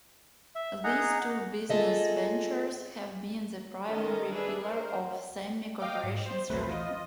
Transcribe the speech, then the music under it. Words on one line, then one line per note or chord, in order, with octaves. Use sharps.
These two business ventures have been the primary pillar of Sammy Corporations revenue.
E5
D#4 G#4 F#5 A#5
F4 G#4 A4 D#5 E5
D#3 C#4 A4 D#5
D4 G#4 B4 E5
A#4 C5
D#5 F5 G5 D6
G#2
C5
A#1 D#2 C3 A3 B4 C5
F4 D#5